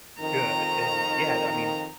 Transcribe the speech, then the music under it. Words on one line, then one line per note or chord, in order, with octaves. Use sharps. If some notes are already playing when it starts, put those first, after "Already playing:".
good, and, yeah, that means
F2 D#3 A#5